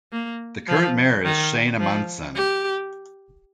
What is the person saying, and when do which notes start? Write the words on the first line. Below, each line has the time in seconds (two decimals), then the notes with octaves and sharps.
The current mayor is Shane Amundson.
0.12 A#3
0.68 F3
1.25 D#3
1.80 F3
2.35 G4